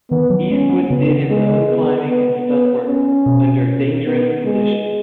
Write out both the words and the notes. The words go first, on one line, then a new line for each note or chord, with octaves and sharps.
Eastwood did his own climbing and stuntwork under dangerous conditions.
D#3 B3
F#3
G#3 C#4
B3
C#3 B3
G#3
B3
B3
B3
C#4
B2
B3
G#3